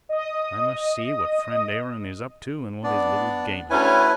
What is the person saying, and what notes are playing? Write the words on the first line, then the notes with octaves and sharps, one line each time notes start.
I must see what friend Aaron is up to and what his little game is.
D#5 D#6
B3 D4 D5
D2 C#4 E4 B4 G#5